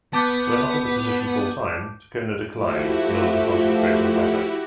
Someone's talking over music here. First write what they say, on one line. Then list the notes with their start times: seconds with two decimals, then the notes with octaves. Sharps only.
When offered the position full-time, Tokona declined in order to concentrate on Weta.
0.13 B3 A5 D6 G6
2.57 F3 A3 E4 F#4 G4